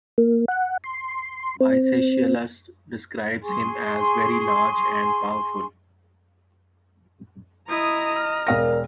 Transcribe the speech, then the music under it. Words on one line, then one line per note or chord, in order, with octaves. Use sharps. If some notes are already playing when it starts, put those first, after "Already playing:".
Aeschylus describes him as very large and powerful.
A#3
F#5
C6
C4
G#4 G#5 C6 C#6
E4 D#5 A#5 D#6
F6
E1 A#4 D5 F5 A#6